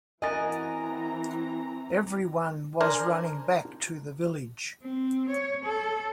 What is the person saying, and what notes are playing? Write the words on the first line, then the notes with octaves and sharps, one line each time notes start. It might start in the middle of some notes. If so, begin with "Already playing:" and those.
Everyone was running back to the village.
E3 C4 F#4 A#4 D#5 G#5 A#5 A6
D4 A#4 C5 G#5
C4
C#5
A4